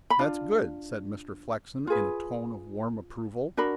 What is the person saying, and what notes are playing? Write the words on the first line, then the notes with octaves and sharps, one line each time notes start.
"That's good," said Mr. Flexen in a tone of warm approval.
B5
D4 F4
F4 G#4 B4
D4 F#4 A#4 B5